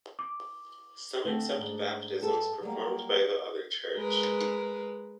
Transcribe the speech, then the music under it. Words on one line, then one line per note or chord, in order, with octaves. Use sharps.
Some accept baptisms performed by the other church.
D6
D3 A3 C4
G#2 D4
G2 A4
F#3 G3 A#3
G#3 A#4 B4